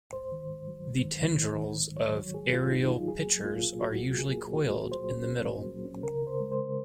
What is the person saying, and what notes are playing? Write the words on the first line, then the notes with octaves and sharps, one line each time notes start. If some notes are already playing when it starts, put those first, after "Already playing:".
The tendrils of aerial pitchers are usually coiled in the middle.
G#2 C5
D#3
G#2
F#3
G#2
D#3
D#3
D#3
D#3
G#2
F#3 C#5
F#3
G#2 G#4
G#2 F4
G#2 D#4
F#3 F4
F#3 G#4
A#3
A#3 F4
A#2
F#3 F#4
A#2
A#3 G#4
A#3
A#3 F#4
A#2
F#3 C5
C#4
A#3
A#2
F#3
C#4
C#3 A#4
C#3
C5
G#3
C5
C#3